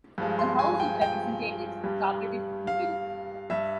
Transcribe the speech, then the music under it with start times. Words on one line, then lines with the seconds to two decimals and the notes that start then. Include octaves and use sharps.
The House of Representatives carpeted the Bill.
0.18 G2 F3 G#3
0.39 C6
0.59 G#5
0.80 G5
1.01 G5
1.84 G2 G3
2.67 F5
3.50 G2 G3 E5